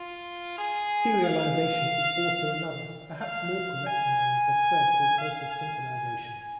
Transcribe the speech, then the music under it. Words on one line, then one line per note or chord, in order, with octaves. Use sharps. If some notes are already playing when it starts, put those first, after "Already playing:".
Serialization is also another, perhaps more correct name for thread or process synchronization.
Already playing: F4
G#4
F5
F5
G#5
F5
G#5